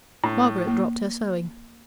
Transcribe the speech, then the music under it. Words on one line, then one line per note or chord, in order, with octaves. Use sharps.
Margaret dropped her sewing.
A2 D4
A#3